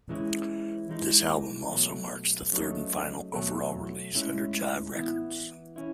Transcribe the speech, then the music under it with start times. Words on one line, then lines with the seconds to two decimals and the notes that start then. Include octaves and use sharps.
This album also marks the third and final overall release under Jive Records.
0.09 E3 G#3 C#4 E4
0.89 E3 G#3 D#4
1.70 B2 F#3 A3
2.52 C#3 F#3 A3 D#4
3.34 B2 F#3 A3
4.14 A2 G#3 C#4 E4
4.95 E3 B3 E4
5.76 C#4 E4